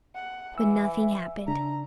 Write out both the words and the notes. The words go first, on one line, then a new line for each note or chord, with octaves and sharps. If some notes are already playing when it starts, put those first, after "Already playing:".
But nothing happened.
F#5
E3 E6
C#3 D4 A#5